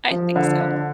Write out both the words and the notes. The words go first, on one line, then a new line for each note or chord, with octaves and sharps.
I think so.
F3
D3
D3